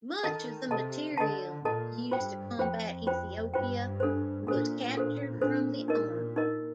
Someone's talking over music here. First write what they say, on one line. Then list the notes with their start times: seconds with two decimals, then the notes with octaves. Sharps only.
Much of the material used to combat Ethiopia was captured from the army.
0.24 D#3 A4 D#5 A5
0.70 C3 A4 D#5 A5
1.17 D3 A4 D#5 A5
1.65 A#2 A4 D#5 A5
2.11 G2 F4 C5 G5
2.59 F2 F4 C5 G5
3.07 F4 C5 G5
3.53 G2 F4 C5 G5
4.00 D4 A4 C5
4.47 A#2 D4 A4 C5
4.95 D4 A4 C5
5.41 A#2 D4 A4 C5
5.88 D#4 A#4 D#5
6.36 D#4 A#4 D#5